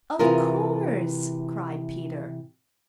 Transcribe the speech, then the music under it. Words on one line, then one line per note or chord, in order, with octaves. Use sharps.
"Of course," cried Peter.
C3 E3 E4 F4 G#4 A#4